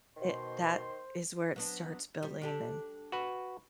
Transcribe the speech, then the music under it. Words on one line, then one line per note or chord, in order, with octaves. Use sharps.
it that is where it starts building, and
B2 D#3 C5 C6
F#3 B3 D4
G3
D4 G4 A4
F#4 B4